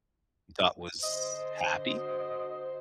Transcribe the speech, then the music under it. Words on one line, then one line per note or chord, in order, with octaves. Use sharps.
you thought was happy?
D3 C5 D#5
F#4